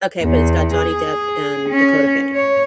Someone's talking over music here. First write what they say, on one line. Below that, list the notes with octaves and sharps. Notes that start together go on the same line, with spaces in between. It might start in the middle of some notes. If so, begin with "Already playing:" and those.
Okay, but it's got Johnny Depp and Dakota Fanning.
E2
G#4
C#4
C#5